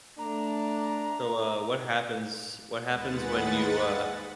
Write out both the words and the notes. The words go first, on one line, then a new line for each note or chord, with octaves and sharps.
So, uh, what happens what happens when you, uh,
A3 D4 A#5
D#2 G#3 B4 F#5 A6